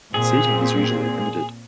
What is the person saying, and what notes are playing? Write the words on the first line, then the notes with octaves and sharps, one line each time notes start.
Seating is usually limited.
A#2 C4 G#4